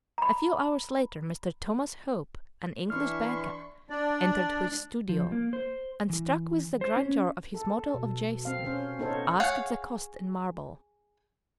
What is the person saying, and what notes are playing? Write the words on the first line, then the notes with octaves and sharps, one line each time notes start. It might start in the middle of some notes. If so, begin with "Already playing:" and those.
A few hours later, Mr. Thomas Hope, an English banker, entered his studio, and, struck with the grandeur of his model of Jason, asked the cost in marble.
A#5 B5
E3 D4 E4 C6 C#6 F6
D4 D5
F3
A#3
C5
E3
C5
C#4
A4
B2
C4 F5
C#4 C5
B3 D#4 A4 C5 C#5
G#4 C#5 F5 F#5